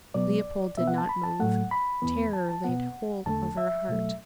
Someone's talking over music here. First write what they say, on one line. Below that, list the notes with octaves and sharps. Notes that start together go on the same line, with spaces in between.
Leopold did not move. Terror laid hold of her heart.
B2 F#3 B3 D5
B2 B3 E5
F#5
A5
B5
A5
A2 F#3 A3 F#5
B5
E2 E3 B3
A5
A5
B2 B3 F#5
E2 D3 A3 A5
E5
B2 F#3 A3